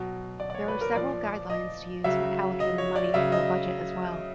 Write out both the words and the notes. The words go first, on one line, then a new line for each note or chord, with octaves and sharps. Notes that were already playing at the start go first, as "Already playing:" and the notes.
There are several guidelines to use when allocating money for a budget as well.
Already playing: B2 F#3
D5
D5
C#5
B4
A#4
A#2 F3 D5
D#5
C#3 F#3 E5
D#5
C#5
D5
C#3 F#3 E5
D#5